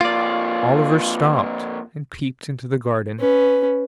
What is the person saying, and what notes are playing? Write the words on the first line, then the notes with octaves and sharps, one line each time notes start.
Oliver stopped, and peeped into the garden.
F2 A#3 F4 D5
C#4 B4